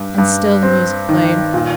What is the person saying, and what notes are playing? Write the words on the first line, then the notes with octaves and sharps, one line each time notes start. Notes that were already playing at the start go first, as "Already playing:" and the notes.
And still the music played.
Already playing: G2
G2
C4
D#3
A#2